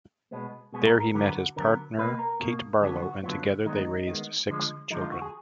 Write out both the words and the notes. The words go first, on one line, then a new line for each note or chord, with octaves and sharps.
There he met his partner, Kate Barlow and together they raised six children.
B2 G#3 B3
B2 G#3 B3 G#4
A#4
A#4
D3 F#3 B3 A#4
F#4
D3 F#3 B3 A#4
B2 A#3 B4
A#4
B2 A#3
D3 F#3 B3 G#4
F#4
D3 F#3 B3 F4
D#3 G#3 B3 D#4
D#3 G#3 B3
D3 F3 G#3
D3 F3 G#3 D#4
F4
F#4
G#4